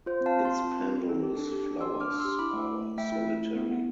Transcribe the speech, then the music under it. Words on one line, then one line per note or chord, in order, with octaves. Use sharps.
Its pendulous flowers are solitary.
F4 C5
C4
F5 A5
C4
A5 C6
C4
F4
C4
C4
A4
G4
D4
G4
D4
G4 C6 E6
D4 D6 F6
D4
C6 E6
G4
E4 B5 D6
A3
A3
A3
A3 E5 G5
E4
A3
E4
B3
B3